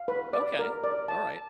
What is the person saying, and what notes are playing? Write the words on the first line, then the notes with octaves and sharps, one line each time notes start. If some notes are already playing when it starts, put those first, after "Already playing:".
Okay. Alright.
Already playing: F5
B4
D5
A#4
D5
A5